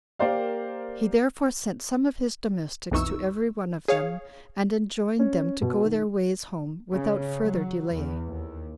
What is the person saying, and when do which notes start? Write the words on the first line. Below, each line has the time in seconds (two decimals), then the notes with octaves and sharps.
He therefore sent some of his domestics to every one of them, and enjoined them to go their ways home without further delay.
0.19 A#3 G4 A#4 C5 D5 F5
2.92 B1 F2 E3 D#4 C#6 E6
3.88 G#4 C#5 F5
5.19 C#4
5.62 B2
5.84 D#3
6.92 C#3
7.43 F#3
7.92 E2
8.27 D#2